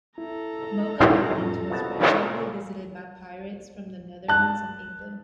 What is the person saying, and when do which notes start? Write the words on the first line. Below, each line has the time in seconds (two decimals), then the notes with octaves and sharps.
Mocha Island was regularly visited by pirates from the Netherlands and England.
0.18 E4 A4 A#5
1.35 F2 A2 F#3 C#4 F4
1.70 C2 B2 F5 A5
2.21 A#2 C#3 A4 A#4
4.28 A5 F#6